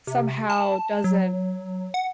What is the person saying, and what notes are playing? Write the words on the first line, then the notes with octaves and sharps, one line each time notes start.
somehow doesn't
C3
A5
F#3
F#5